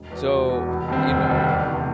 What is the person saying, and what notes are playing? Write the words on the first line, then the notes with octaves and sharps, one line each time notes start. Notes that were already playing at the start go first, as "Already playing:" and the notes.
So, you know
Already playing: E1
E2 B2
E1
E2 B2
F1
D#2 D3 G3 C4
F1
D#2 D3 G3 C4
E2
C3 E3 A3